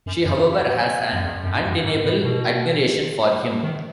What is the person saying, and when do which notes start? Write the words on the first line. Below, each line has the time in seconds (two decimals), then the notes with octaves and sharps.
She, however, has an undeniable admiration for him.
0.06 F#2
0.26 F#2
1.13 F#2
1.25 E2
1.44 F#2
1.55 G#2
1.69 F#2
1.85 G#2
2.05 A2
2.24 B2
3.63 D#3